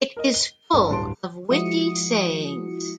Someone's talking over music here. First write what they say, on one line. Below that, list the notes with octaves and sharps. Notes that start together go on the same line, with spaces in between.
It is full of witty sayings.
A#4 D#5
G7
G1 A4
D1 G2 A5 C6 D7
F3 G#3 E4 F#4 D#6 C#7